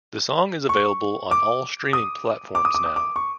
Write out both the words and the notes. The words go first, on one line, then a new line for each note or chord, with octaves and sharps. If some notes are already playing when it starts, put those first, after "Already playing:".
The song is available on all streaming platforms now.
C#6
D6
D#6
D6
D#6
D6
D#6
D6
C#6